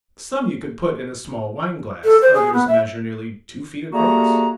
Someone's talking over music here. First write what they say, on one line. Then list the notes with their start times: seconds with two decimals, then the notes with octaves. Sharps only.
Some you could put in a small wineglass, others measure nearly two feet across.
2.04 A4
2.22 C5
2.34 G#4
2.53 B3
2.68 E5
3.92 G3 A3 A#3 F#4 G#4 A#5